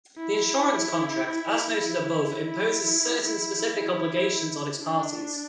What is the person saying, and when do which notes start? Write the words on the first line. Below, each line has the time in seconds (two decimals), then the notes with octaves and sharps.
The insurance contract, as noted above, imposes certain specific obligations on its parties.
0.18 E4
2.49 E4
3.26 E4
4.80 D4